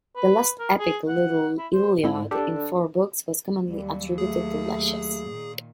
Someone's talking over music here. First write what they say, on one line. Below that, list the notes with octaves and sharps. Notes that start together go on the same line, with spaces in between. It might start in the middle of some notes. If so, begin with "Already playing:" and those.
The lost epic "Little Iliad", in four books, was commonly attributed to Lesches.
B4
A#4
G#4
F#5
E4
C5
G#2 C4 E4
D4 G4 A4
D#2 F#3 G3
A3 G#4
A#2 D#3